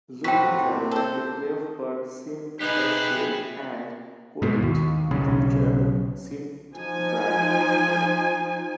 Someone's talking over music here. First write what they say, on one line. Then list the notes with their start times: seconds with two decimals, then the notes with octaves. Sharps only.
Looking forward, a playoff berth seemed assured and Kotite's future seemed bright.
0.24 A2 C3 C4 F#4 B4 G5 B6
0.91 A4 C5
2.61 D#4 G4 G#4 B4 E5 F#6
4.42 G#2 B2
4.62 D#2
5.11 B1 C#3
6.74 F3 D#4 G#5